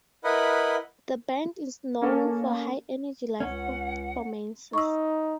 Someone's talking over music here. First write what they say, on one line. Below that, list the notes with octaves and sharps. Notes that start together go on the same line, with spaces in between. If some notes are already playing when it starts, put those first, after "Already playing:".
The band is known for high energy live performances.
E4 A#4 B4 D#5 F#5 B5
A#3 C#4 A4
C#2 C#4 F#5
D#4 C#6 E6